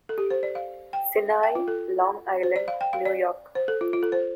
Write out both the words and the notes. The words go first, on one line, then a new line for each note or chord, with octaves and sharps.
Sinai, Long Island, New York.
A4
G4
C5
D5
F5
G5
F5
G5
F4
A4
C5
D5
F5
G5
F5
D5
C5
A4
F4
F4
A4
C5